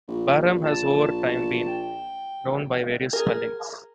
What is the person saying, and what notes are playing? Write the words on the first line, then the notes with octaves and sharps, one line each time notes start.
Barham has over time been known by various spellings.
A#1
A5
G5
G#4 A#4